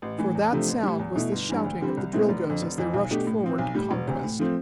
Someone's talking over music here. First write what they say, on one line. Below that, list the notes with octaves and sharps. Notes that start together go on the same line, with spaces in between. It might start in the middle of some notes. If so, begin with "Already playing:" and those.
For that sound was the shouting of the Drilgoes as they rushed forward to conquest.
A1
A2 E3
E2
C3 F3 A3 D4
A1
A2 G3
E2
B2 A3 E4
G1
G2 E3
D2
D3 G3 C4
C2
B2 A3 C4 E4
F1
F2 D3
F1
F2 E3
B1
B2 A3 D4 G4
A2
F3 C4
B1
A2 G3
E1
D2 C3
A2
F3 A3 C4